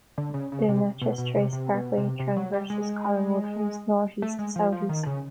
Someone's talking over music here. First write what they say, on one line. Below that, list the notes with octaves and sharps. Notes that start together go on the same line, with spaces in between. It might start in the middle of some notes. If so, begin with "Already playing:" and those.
The Natchez Trace Parkway traverses Collinwood from northeast to southwest.
D3
C#3
C#3
C3
B2
B2
C3
C3
B2
C3
C3
F#3
G3
G#3
A3
G#3
F3
F3
D#3
C#3